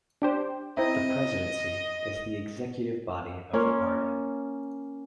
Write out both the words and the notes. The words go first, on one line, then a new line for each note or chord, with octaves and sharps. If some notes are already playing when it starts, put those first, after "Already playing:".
The Presidency is the executive body of the party.
D4 G4 C5
C4 D#4 E4 D#5
A#3 C#4 F4